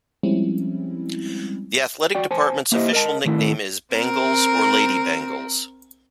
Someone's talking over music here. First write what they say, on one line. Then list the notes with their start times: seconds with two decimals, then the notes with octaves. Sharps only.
The athletic department's official nickname is Bengals or Lady Bengals.
0.23 F3 G3 G#3 C4 C#4 E4
2.15 F#4 D5 G5
2.31 C5 G#5 A5
2.72 A#3 E4 G4 B4 C5 D#5
2.93 A#4 D#5 A5
3.25 A2 D#3 A3 E4
3.94 C4 A#4